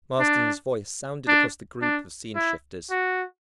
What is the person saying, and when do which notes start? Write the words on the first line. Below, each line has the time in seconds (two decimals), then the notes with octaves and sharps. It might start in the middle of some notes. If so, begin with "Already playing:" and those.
Marsden's voice sounded across the group of scene-shifters...
0.20 D4
1.28 D4
1.82 D4
2.36 E4
2.90 F#4